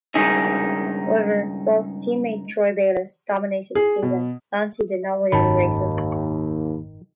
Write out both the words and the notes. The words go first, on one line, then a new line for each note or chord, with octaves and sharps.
However, whilst team-mate Troy Bayliss dominated the season, Lanzi did not win any races.
C#2 G2 D#3 D#4 G#4
G#4
B2
F#1 D#2 G#2 D#3 C#4 A5 B5